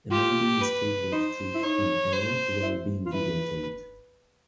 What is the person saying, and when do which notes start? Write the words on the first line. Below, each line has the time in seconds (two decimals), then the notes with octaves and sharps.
A man doing a skateboard trick in air while being videotaped.
0.11 F4 G4
0.61 B4
1.12 D#4 C5
1.54 E4
1.62 D#4 C#5
2.12 C5
2.63 E4
3.06 F4
3.12 E4 B4